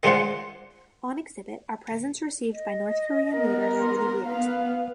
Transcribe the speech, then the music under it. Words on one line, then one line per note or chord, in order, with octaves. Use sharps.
On exhibit are presents received by North Korean leaders over the years.
D#3 G#3 D4 F4 C5 F#5
D#5
B3 A#4
C6
B3 B4 F5